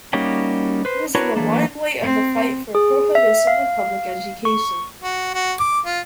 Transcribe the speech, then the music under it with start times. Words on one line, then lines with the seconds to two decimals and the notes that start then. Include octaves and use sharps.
He was in the limelight of the fight for prohibition and public education.
0.13 G3 A#3 C#4 D#4 F#4 G4
0.85 B4 C5
1.15 D4 E4 F#4 A#4 B4 C#5
1.35 E3 F#3 A3 A#3 D4
2.03 C4
2.75 G#4
3.15 E5
3.47 F5
4.45 C#6
5.03 F#4
5.34 F#4
5.60 D6
5.86 F4